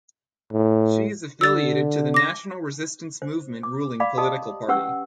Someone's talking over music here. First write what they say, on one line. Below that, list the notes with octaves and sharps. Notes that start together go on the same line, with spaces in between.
She is affiliated to the National Resistance Movement ruling political party.
A2
D3 E6 A6
D6 A#6
C5
D6
D5 F5 B5 D6
G4 D#5 A5 D#6
C#4 G4 B4 F#5 C#6 E6